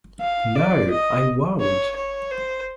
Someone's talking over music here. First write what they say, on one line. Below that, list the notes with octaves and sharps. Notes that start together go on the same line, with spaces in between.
No - I won’t!
F5
D5
D#5
C#5
C#5
C5